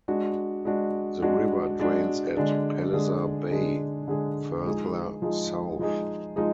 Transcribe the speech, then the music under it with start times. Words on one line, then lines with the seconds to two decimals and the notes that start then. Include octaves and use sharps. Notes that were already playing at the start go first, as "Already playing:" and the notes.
The river drains at Palliser Bay further south.
0.08 G#3 D4 F#4
0.65 G#3 D4 F#4
1.22 G#3 D4 F#4
1.79 G#3 D4 F#4
2.36 D3 G#3 D4 G#4
2.93 D3 G#3 D4 G#4
3.51 D3 G#3 D4 G#4
4.08 D3 G#3 D4 G#4
4.65 F3 G#3 D#4 G#4
5.22 F3 G#3 D#4 G#4
5.79 F3 G#3 D#4 G#4
6.36 F3 G#3 D#4 G#4